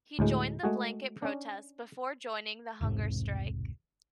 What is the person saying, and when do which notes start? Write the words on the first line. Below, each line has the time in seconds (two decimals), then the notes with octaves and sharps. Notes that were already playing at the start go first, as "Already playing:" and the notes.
He joined the blanket protest before joining the hunger strike.
0.19 D2 A2 G#3
0.63 G#3 A3 F#4 G#4
1.22 C#4 D4
2.81 E1 C2 G#2 C3